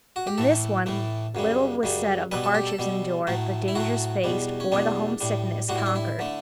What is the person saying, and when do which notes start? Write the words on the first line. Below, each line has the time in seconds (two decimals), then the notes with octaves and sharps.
In this one little was said of the hardships endured, the dangers faced, or the homesickness conquered.
0.16 F#4
0.27 G4
0.38 A2 E3 A3 A4
0.86 A2 E3 A3
1.35 F#2 C#3 G3
1.83 F#2 C#3 G3
2.32 B2 G3 B4
2.44 A4
2.55 G4
2.67 A4
2.79 B2 G3
3.27 A2 F#3 A3
3.68 E4
3.75 A2 F#3 A3 F#4
4.24 E2 B2 G3
4.60 C#4
4.72 E2 B2 G3 D4
5.21 A2 G3
5.69 A2 G3 F#4
5.78 E4
5.86 D4
5.96 E4
6.19 D3 A3